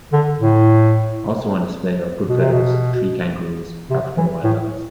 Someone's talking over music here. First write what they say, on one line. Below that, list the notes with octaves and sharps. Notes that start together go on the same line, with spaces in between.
Also on display are Goodfellow's tree-kangaroos, African wild dogs.
D3
A2
B2
C3
B2
C3
E3
A2